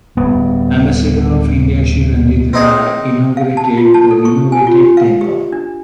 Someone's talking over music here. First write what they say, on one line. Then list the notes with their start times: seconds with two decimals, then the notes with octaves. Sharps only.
Ambassador of India Shri Ranjit Rae inaugurated the renovated temple.
0.17 D1 G2 G3 B3
2.53 C4 D#4 G#4
3.37 F5
3.57 A5
3.78 F4
3.94 A5
4.11 A4
4.25 C#6
4.52 G#5
4.67 F4
4.97 F5
5.21 G4
5.53 D4